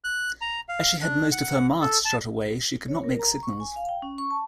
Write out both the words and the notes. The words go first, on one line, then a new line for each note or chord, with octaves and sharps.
As she had most of her masts shot away she could not make signals.
F#6
A#5
F5
D4
F#5
A4
A5
C#5
A#4
A#5
C#6
G#5
F5
G5
C#4
C#6
A5